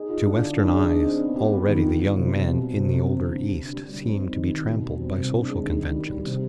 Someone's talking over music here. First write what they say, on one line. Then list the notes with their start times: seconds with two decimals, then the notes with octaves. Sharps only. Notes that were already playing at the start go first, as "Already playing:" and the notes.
To Western eyes already the young men in the older East seem to be trammeled by social conventions.
Already playing: D#4 G#4
0.09 F4
0.26 D4
0.41 D3
0.57 D4
0.73 G#4
0.89 D#4
1.05 C4
1.21 B3
1.36 G4
1.52 B3
1.67 D#3
1.84 F4
1.99 G3
2.15 C3
2.31 C3
2.47 B2
2.63 C4
2.78 C3
2.94 C3
3.10 D3
3.26 D3
3.42 D3
3.57 D3
3.73 G3
3.89 G3
4.05 C4
4.21 D#4
4.36 D#3
4.52 D#3
4.68 B2
4.84 G3
4.99 C4
5.15 C3
5.31 D4
5.48 G#3
5.63 D#3
5.79 D#3
5.95 G3
6.11 G3
6.25 C3